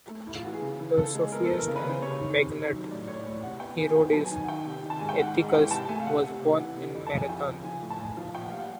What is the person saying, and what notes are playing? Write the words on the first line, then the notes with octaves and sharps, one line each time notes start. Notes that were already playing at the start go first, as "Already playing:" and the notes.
The sophist and magnate Herodes Atticus was born in Marathon.
A3
A2 E4
F4
E3 F#4
G#4
C#3
E3
C#3 A4
G#3
B3 A#4
E3 A4
A#4
C#3
B4
C#3
C5
C3 C#5
D#3
C3
D#3
F#3
A2 D5
A2 C#5
D5
A2 C#5
C3 F#5
B3 G5
D#3 G#5
G#5
B3 G5
F#3 A5
G#5
D#3
G#5
F#5
D#3 G5
C3
D#3
A5
G#2 G#5
G5
D#3 F#5
G#2
F#5
E3 G5
C3 A5
A3 G#5
F5
C3 F#5
C3
C3
E3 F#5
C3
F2
A5
F2
G#5
F3 G5
C#3
F3 G#5
A2
A5
A2 G#5
F3
A#2 G5
F#5
G3 F5
F#5